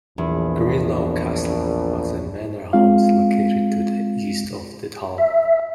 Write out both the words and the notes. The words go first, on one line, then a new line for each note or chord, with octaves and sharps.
Greenlaw Castle was a manor house located to the east of the town.
A#1 E2
G#3 C4 F4 F5
E5